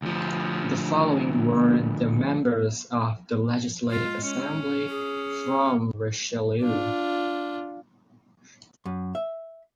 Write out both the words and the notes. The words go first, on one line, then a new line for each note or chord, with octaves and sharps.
The following were the members of the Legislative Assembly from Richelieu.
D2 F3
G#3 F4
C#4
G#4
D4 F4
F#2
E5